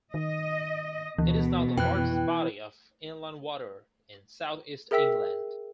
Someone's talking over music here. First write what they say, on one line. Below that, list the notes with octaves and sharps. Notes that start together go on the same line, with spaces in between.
It is now the largest body of inland water in south east England.
D#3 D#5
D2 B2 E3
F2 E3 G5 F#6
G#4 A#4 E5 G5 E6 B6